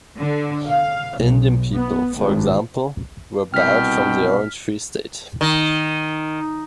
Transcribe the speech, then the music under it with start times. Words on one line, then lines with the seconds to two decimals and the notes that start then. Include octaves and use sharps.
Indian people, for example, were barred from the Orange Free State.
0.19 D3
0.70 F5
1.18 B1
1.73 B3
2.17 G#1
3.54 C2 B2 G5 F6 B6
5.41 D#3